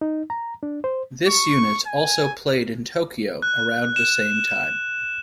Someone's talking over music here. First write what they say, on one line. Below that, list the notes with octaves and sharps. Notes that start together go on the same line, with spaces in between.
This unit also played in Tokyo around the same time.
D#4
A#5
D4
C5
C#6
G#5
F#6
E7